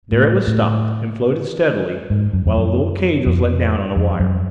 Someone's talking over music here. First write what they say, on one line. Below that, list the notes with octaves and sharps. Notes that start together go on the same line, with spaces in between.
There it was stopped, and floated steadily, while a little cage was let down on a wire.
A2
A2
G#2
F#2
F2
F#2
F2
F2
F#2